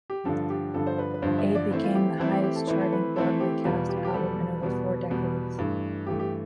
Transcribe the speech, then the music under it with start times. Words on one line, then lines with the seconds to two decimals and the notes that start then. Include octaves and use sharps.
A became the highest-charting Broadway cast album in over four decades.
0.10 G4
0.25 G2 D3 F3 A4
0.50 G4
0.74 G2 D3 F3 A4
0.87 C5
0.98 B4
1.14 B4
1.22 G2 D3 F3 C5
1.39 E5
1.55 D5
1.71 E3 A3 C4 E4
1.84 F4
1.95 G4
2.19 E3 A3 C4 E4 A4
2.31 G4
2.44 G4
2.56 A4
2.67 E3 A3 C4 E4 B4
2.81 A4
2.92 B4
3.16 E3 A3 C4 E4 A4
3.40 G4
3.65 E2 B2 G3 B3 F4
3.89 G4
3.97 F4
4.04 G4
4.13 E2 B2 G3 B3 A4
4.61 E2 B2 G3 B3
5.10 E2 B2 G3 B3
5.58 G2 E3 A3
6.07 G2 E3 A3 G4
6.19 G4